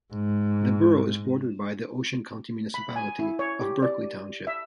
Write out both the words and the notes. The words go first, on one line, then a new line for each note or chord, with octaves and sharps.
The borough is bordered by the Ocean County municipality of Berkeley Township.
G#2
B5
G#5
E4
C#5
G4
D5
E5